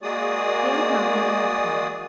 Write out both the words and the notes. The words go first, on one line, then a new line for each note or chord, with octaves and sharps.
The old man never left me.
G#3 A#3 F#4 G#4 D5 D#6